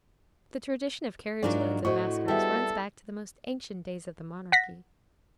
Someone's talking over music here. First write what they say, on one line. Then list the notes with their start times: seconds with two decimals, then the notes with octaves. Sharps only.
The tradition of carriage-loads of maskers runs back to the most ancient days of the monarchy.
1.43 G#2 F#3 D4 D#4 F4 A#4 D5
1.85 A2 F#4 C5 D#5 C#6
2.28 G3 B3 G#4 A4 E5
4.52 F#5 A#6 B6